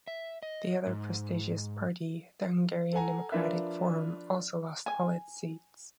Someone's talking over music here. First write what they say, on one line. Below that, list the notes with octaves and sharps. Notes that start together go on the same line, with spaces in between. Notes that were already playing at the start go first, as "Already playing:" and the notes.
The other prestigious party, the Hungarian Democratic Forum also lost all its seats.
E5
D#5
G#2
A4 F#5 G#5 A#5
F3 D4 F4 A#4 B4 E5
G#5